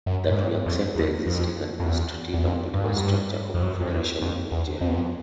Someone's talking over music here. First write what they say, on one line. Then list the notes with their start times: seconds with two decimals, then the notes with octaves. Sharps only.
That we accept the existing administrative and political structure of the Federation of Nigeria.
0.06 F#2
0.31 G#2
0.36 G2
0.66 F2
0.95 E2
1.26 F2
1.79 F2
1.85 E2
2.33 E2
2.44 F2
2.74 G2
2.85 G#2
2.96 G2
3.54 F2
3.62 F#2
3.81 F2
3.92 E2
4.21 F2
4.51 E2
4.81 F2
4.88 E2
4.95 F2